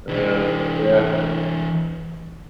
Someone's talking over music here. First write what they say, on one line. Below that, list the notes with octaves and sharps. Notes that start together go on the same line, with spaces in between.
Uh, yeah.
E3 D4